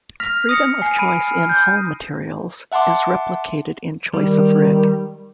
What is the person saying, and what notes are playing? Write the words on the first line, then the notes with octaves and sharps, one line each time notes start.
Freedom of choice in hull materials is replicated in choice of rig.
F6 A#6 B6 F7
D#6 A#6 C#7
G#5 C7
B5 C7 D7 D#7
F6
G6
E5 F#5 A5 C6 D6
D#3 G3